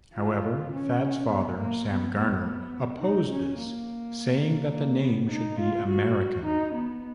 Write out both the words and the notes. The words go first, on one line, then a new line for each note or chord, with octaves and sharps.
However, Thad's father Sam Garner opposed this, saying that the name should be American.
F4
C#4
B3
A#3
B3
B3
B3
D#4
C#4
A#3
A#3
B3
D#4
F4
F#4
D#4
B3